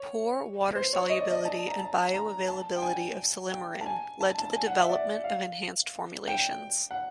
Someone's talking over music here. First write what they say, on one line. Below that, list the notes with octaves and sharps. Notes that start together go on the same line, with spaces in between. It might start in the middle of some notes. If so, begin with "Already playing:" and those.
Poor water solubility and bioavailability of silymarin led to the development of enhanced formulations.
Already playing: C#5
C5
C#5
D#5
D5
D#5
A5
A#5
A5
A#5
A5
G5
G#5
G5
A5
G#5
A5
A5
G#5
F#5
E5
D5
F5
G5
F#5